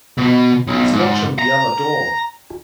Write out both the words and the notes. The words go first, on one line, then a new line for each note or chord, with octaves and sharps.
He's watching the other door.
B2
B1
G#2
A#5